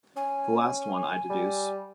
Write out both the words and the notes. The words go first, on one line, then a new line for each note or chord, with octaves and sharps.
The last one, I deduce.
C#4 G#5
G3